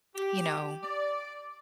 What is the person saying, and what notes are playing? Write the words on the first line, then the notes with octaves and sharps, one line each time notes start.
you know,
G4
D5